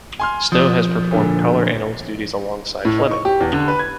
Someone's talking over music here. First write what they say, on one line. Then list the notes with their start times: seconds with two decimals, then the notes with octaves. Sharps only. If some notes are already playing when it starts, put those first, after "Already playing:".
Snow has performed color analyst duties alongside Flemming.
0.20 G#5 C6 F6
0.52 F3 D5 D#6
1.11 A#2 D3
2.85 A2
2.98 D#4
3.11 C#6
3.25 G4
3.41 E2
3.53 D3
3.68 B4
3.79 G#6